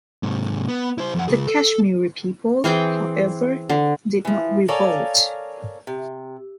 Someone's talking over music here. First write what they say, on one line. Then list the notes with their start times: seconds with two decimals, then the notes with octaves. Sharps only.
The Kashmiri people, however, did not revolt.
0.23 G#2 C3
0.68 B3
0.98 E4 C5
1.15 F2 F#5
1.28 C#2 G#4
1.47 A4
2.64 E3 C4 G#4 G5
3.69 D3
4.25 E3 F3
4.68 A4 A#4 C#5 D5 F5 G#5
5.87 C3